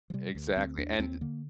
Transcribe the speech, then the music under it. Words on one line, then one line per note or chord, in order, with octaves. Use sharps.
Exactly. And i
F3
C3 G3
D2
D2 C4
D#2 D4
D#2 C4
D3 A#3